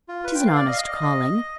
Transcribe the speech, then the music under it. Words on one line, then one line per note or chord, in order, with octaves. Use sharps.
'Tis an honest calling.
F4
B4
G5
F5
D5
D#5
F5
D#5